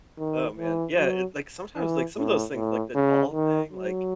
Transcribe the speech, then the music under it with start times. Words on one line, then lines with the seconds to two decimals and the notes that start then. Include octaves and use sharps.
Oh, man. Yeah, it like sometimes, like, some of those things, like, the doll thing, like
0.18 D#3
0.58 E3
0.97 F#3
1.76 E3
2.16 A2
2.54 A2
2.95 C#3
3.33 D#3
3.73 F#3